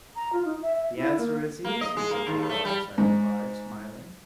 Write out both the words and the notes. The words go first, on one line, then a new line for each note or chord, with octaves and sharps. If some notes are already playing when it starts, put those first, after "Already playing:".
"The answer is easy, Dejah Thoris," I replied smiling.
A#5
F4
D#4
E5
E5
E4
A#3
A#3
D#5
G#3
A#3
D#2
A3
G3
G#2